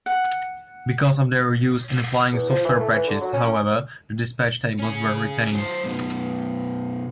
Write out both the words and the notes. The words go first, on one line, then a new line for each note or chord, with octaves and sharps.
Because of their use in applying software patches, however, the dispatch tables were retained.
F#5
E2
F3
E3
A3
E3
D3
F#3
C#4
C#4 G#4
F#3 C5
F#2 B2